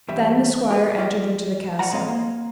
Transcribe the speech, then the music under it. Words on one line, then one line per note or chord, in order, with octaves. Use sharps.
Then the squire entered into the castle.
E2 G2 G3 E5
G4 G#4 B4
F4 G4 D5 D#5
D5 F5 F#5 A#5
G#2 G#3 C4 A4 D#5 F5
A#3